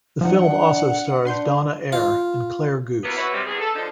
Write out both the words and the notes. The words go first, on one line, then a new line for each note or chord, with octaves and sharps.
The film also stars Donna Air and Claire Goose.
F3 D4 D#4 F#5
D4 B4 C6 G6
F4
E3 F#3 A#3 B3
E3 B3 E4 F#4 C#5 E5
C3 G3
E2 B3 G#4
A4
D3 F3 D#4